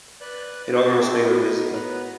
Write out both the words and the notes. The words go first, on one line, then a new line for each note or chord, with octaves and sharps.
It almost made her dizzy.
B4 D5 F#6
G4 B4 C5 A5
D#4 G#4 E5 G5 B5 D6
B3 F#4 A4 A#4 D#5
B3 B4 C#5 A#5